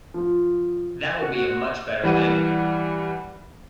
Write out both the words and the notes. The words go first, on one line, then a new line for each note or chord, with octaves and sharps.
That will be a much better thing.
F3
F#4
E3 G3 F#5 D#7